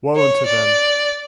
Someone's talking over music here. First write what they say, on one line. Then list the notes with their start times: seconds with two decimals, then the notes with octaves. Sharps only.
Woe unto them!
0.16 C#5
0.46 D5